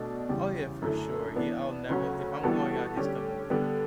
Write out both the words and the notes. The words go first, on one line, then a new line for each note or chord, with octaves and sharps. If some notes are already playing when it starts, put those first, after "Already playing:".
Oh, yeah, for sure; he I'll never if I'm going out, he's coming with me.
Already playing: B2 A3 D4
E2 C#3 G3
F#2 D3 A3 E4
E3 B3 D4
D2 C#3 F#3 C#4 F#4
E3 G3 B3 F#4 A4
D3 G3 C#4 G4
D3 G3 B3